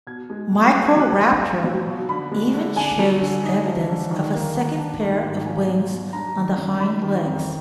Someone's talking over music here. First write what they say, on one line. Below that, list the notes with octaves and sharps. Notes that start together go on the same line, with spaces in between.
"Microraptor" even shows evidence of a second pair of wings on the hind legs.
B2 G#6
G#3
B2
F4 F#6
G#6
F#3 F#6
B2
F4
F#3
B2
D3 B5
G#3
D3
D4 G#5
F#3
D3
D#4
F3
D3
D#3
A#3
D#3
D4
D#3
G#2
F4 G#5
F#3
B2
D4 A#5
D#3
F#2
D#4 B5
D#3
F2